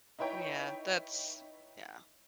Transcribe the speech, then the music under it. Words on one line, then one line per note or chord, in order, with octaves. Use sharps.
Yeah. That's yeah.
D#4 E4 B4 C#5 G5 A#5